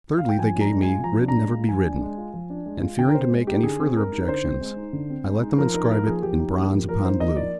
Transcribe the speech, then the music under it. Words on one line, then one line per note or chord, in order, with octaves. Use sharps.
Thirdly, they gave me, 'Ridd never be ridden,' and fearing to make any further objections, I let them inscribe it in bronze upon blue.
F5
G5
F3 G#5
D4
A#5
G#3
G#5
F4
F3 A#5
D4
A#5
G#3
F4
F3 G#5
D4
G#3
F4
F3
D4
G#3
F4
D3 G5
A#4
C4 C5
G#3
D#4 G4
D3 G#4
C4
G#3 A#4
D#4
D3 C5
C4
G#3
D#4
D3
C4
G#3
D#4
F3 A#4
D#4 A#4
A#3 A#4
F3 G#4
F3 G4
D#4
A#3
F3
F3 A#4
D#4 C5
A#3 D#5
F3 D5